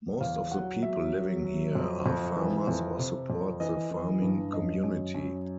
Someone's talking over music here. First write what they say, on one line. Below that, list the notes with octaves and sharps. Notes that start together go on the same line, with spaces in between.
Most of the people living here are farmers or support the farming community.
E2 F5
F#3 F#5
F#3 E5
F#3
F#3
F2
F2
E3
F2
C3
F2
E3 D#5
E3
G2
F#2 D#5
F#2
F#2